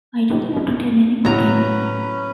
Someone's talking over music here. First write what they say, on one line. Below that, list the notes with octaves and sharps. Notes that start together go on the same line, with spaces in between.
I don't want to tell anybody.
A2 F#3 C#4 B4 A#5